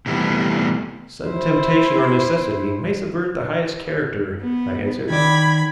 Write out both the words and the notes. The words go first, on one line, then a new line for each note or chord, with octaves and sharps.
"Sudden temptation or necessity may subvert the highest character," I answered.
C3 E3 G3 A3 B3
E4 C5
B3
D#3 D5 B5 G#6